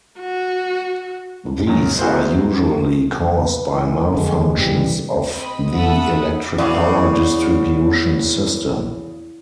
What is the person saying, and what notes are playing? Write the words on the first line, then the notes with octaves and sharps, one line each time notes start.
These are usually caused by malfunctions of the electric power distribution system.
F#4
A#1 F#2
B3 E4 F#4 G#4 A#4 C5
B4
E3
F2 D3 G#3
G2 C3 E3 G3
C4 D#5 B5
F#4 A4 E5 F#5 B5 D#6
E2 C#3 B3 F#4 D5